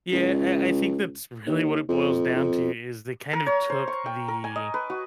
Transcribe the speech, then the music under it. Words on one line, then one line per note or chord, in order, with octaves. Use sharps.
Yeah. I I think that's really what it boils down to is they kind of took the
C#2
D#2
F2
F2
A#4
C#5
C5
C#6
G5
A#4
G#5
D#5
B4
F#4